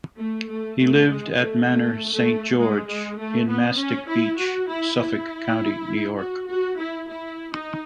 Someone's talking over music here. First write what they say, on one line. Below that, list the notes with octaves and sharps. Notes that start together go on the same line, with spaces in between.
He lived at Manor Saint George in Mastic Beach, Suffolk County, New York.
A3
A3
A3
G#3
A3
A3
A3
G#3
G#3
A3
B3
C#4
E4
F#4
E4
E4
F#4
F#4
E4
E4
D#4